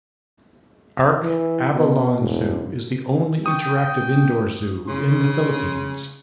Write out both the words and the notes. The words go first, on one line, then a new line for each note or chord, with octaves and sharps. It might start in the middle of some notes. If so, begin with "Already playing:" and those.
Ark Avilon Zoo is the only interactive indoor zoo in the Philippines.
E3
B2
E1
G5 C#6 D#6
C#3 C6